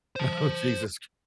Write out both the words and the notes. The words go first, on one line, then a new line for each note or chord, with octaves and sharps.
Oh, Jesus.
C5 A5